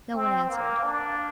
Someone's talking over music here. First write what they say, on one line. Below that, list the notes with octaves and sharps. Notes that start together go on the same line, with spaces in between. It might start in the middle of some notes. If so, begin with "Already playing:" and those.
No one answered.
C4
A#3
D4